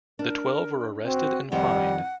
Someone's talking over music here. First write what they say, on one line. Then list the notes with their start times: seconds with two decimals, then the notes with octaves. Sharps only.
The twelve were arrested and fined.
0.19 D4 A#4
1.06 C4 F#4
1.52 F2 D#3 G3 C5 F#5